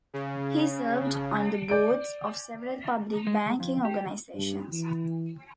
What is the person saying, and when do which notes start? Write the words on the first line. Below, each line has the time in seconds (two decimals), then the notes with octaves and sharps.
He served on the boards of several public banking organizations.
0.14 C#3
1.68 D5 G6 D7
3.27 G#3
3.60 F2
3.85 G4
4.34 G2
4.72 E3